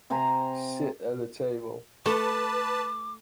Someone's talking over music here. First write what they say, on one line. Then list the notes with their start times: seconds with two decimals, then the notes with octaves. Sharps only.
Sit at the table.
0.10 C3 C5 G#5 A#5
2.06 A3 A4 B4 A5 D6